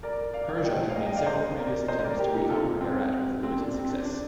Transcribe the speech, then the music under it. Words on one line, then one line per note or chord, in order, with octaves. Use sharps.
Persia had made several previous attempts to reconquer Herat with limited success.
A#4 D5
D5 F5
D5 F5
D#5 G5
F5
D#5 G5
D#5 G5
D5 F5
C5 D#5
A#4 D5
C5 D#5
A#4 D5
G4 A#4
D#4 G4
F4 A4
C4
C4
D4
C4
D4
D4